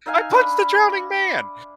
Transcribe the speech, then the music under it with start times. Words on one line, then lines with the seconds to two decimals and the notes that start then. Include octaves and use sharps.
I punched the drowning man!
0.06 D#4 E5 F5 G#5
0.31 D4 B5